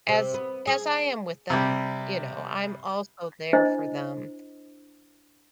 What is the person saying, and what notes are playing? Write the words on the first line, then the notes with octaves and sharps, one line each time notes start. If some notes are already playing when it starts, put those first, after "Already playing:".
as as I am with them, you know, I'm also there for them,
C3
B3
G#4
C3 G3
D4 E4 C5 D#5